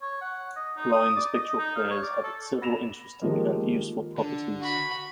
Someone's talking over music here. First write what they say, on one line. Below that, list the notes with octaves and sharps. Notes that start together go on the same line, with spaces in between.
Line spectral pairs have several interesting and useful properties.
C#5
F#5
D#5
D#4
D#6
D5
D#5
D#4
F5
C#5
D5
A4
B5 A#6 E7 F7
D#3 F3 G3 G#3 A#3
D3
F#4 B5